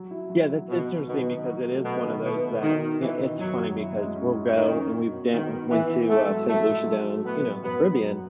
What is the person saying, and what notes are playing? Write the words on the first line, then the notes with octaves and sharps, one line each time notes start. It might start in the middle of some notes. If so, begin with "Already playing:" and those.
yeah, that's interesting, because it is one of those that it it's funny, because we'll go, and we've do went to, uh, Saint Lucia down, you know, in the Caribbean,
Already playing: F#3
E4
F#3
F#3
B2 B3
F#3
B2 D#3
D#4
F#3
A3
B2 A3
D#3
B2 E4
A3
B2 D#3
B2
D#3 E3
D#3
F#2 F#3
F#2
E4
G#3
C#4
E4
D#3 C#4
C#4
B2
B2
B2 D#3
B3
E3 E4
E4
G#2 A3
F#3
A3 E4
F#3
F#3
A3
A2 B3
F#3
F#2 B3
F#2
F#2